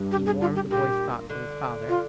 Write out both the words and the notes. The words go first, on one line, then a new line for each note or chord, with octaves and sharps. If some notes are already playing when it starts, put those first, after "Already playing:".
He warmed the boy's thoughts of his father.
Already playing: G2
G4
G#4
F4
G4
A#2 G4
D3
F4